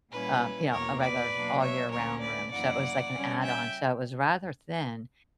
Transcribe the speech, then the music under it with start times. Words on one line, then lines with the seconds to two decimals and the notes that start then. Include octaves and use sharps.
uh, you know, a regular all-year-round room, so it was, like, an add-on, so it was rather thin,
0.11 A#2 G3 C#4 E4 B4
0.71 E2 B2 A#3 A#4 C#5
1.02 B4 D5
1.31 B2 F#3 A#3 D4
1.61 C#5 E5
1.91 D2 D3 A#3 C#4 A#4 C#5
2.21 B4 D5
2.51 F#2 E3 A#3 E4 D5 F#5
3.12 C#3 G3 C#4
3.40 E5 G5